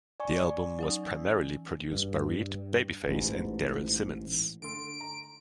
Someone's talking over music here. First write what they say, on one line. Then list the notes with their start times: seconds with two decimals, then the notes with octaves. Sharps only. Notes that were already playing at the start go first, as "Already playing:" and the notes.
The album was primarily produced by Reid, Babyface, and Daryl Simmons.
0.20 D5 G#5 C#6
0.79 F#3 C#4 D#4
1.04 E3 E6
1.92 G2
3.07 A1 G#2
4.62 D3 A3 C6 D7
5.01 A#5